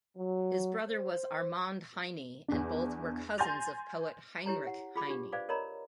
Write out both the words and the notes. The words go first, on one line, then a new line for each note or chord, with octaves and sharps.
His brother was Armand Heine, and both were cousins of poet Heinrich Heine.
F#3
C5
E2 D4
G#5 C6 G6 A6 A#6 F7
E4 G4 C#5 A#5
F#5
F4 G#4 B5 D6
D4 F4 G4
B4 C5 D5 F5 G#5 D6
A#4 C#5 D#5 A#5 B5